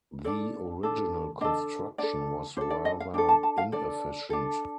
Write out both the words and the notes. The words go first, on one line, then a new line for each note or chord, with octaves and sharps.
The original construction was rather inefficient.
D4 A4 D5
D4 A4
D4 A4 D#5
D4 A4 D5
D4 A4 C5
D5
D#5
F5
D4 A4 G5
A5
A5
F5
D4 A4 D5
D4 A4